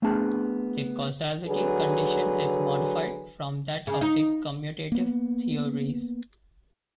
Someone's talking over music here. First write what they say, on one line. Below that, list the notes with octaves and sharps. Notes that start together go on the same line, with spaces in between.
The causality condition is modified from that of the commutative theories.
A3 B3 C4 D4 G#4 A5
D3 F#3 G#4 B4
C#3
D#4
A#3 B3